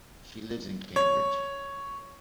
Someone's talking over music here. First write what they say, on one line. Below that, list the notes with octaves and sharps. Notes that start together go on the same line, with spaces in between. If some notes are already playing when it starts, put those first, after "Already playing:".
She lives in Cambridge.
C#5